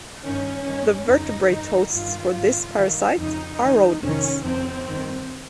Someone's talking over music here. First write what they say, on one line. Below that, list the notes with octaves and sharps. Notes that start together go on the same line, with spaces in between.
The vertebrate hosts for this parasite are rodents.
G2 D#3 C#4
G2 D#3
F2 C#3 D#4
G2 D#3
G2 D#3 F4
G#2 D#3
G2 D#3
F2 C#3 D#4
G#2
D#3
F2 C3 D#3 C#4
F2 C#3 C4
G2 D#3